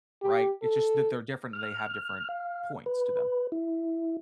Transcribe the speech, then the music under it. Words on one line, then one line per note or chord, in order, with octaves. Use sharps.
right? It's just that they're different, and they have different points to them.
G4
A4
F6
F5
B4
E4